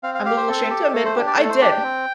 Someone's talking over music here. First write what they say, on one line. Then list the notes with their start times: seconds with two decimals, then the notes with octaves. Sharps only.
I’m a little ashamed to admit, but I did.
0.03 C4 F5
0.15 F5
0.25 G4 F5
0.37 C5
0.48 C4 A4
0.70 G4
0.93 A3 A4
1.05 C5
1.16 D4 G4
1.27 D5
1.38 A3 A4
1.49 C5
1.61 D4 G4 D5
1.72 G5
1.83 C4